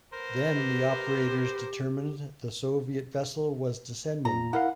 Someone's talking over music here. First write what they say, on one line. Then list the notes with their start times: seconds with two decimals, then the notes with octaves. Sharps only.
Then the operators determined the Soviet vessel was descending.
0.13 B3 A#4 C5
0.55 G4
4.25 A#2 A#5
4.53 E4 A#4 F5 F#5